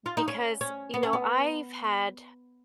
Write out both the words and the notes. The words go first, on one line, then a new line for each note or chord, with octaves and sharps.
because, you know, I've had
F4
D#4
C#4
C#4
B3
C#4
B3